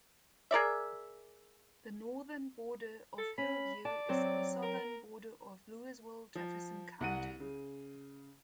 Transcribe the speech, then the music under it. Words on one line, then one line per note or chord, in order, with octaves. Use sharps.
The northern border of Hillview is the southern border of Louisville-Jefferson County.
G#4 A#4 D5 E5
A4
C#4 B5
D5 A5
F#3 C4 C5
A#4
F3
C2 F#5 D#7
C#3